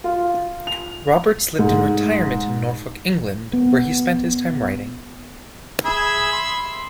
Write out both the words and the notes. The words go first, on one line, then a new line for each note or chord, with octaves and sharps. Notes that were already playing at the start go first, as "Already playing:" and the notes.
Roberts lived in retirement in Norfolk, England, where he spent his time writing.
F4
F7
G#2
B3
G#4 E5 B5 E6
C6